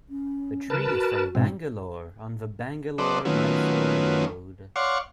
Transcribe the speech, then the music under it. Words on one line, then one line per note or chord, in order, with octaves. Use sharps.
The tree is from Bangalore, on the Bangalore - Mysore Road.
C#4
C#3 A#4 B4 A5
F#4
G#2 B2 C4
F#3 B3 A4 C5 D5 D#5
D#3 F3 F#3 A3 B3 C#4
C#5 D5 F5 F#5 C6 C#6